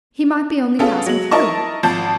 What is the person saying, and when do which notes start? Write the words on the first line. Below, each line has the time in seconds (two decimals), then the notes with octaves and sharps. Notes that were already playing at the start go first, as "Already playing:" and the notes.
He might be only passing through.
0.79 C#3 B3 C#4 F4 A4
1.06 F#3 G#3 F#7
1.31 D#4 E4 A#4 D#5 A5 C#6
1.83 G#1 F3 A5 G6